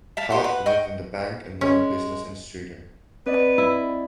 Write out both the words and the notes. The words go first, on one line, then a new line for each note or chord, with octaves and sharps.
Hart worked in the bank and loan business in Streator.
E5 F5 A5
D#4 G4 C5 F#5
B4 F#5
D#5 F#5 G5 C#6
G#3 C#4
C4 B4 D5 D#5
E4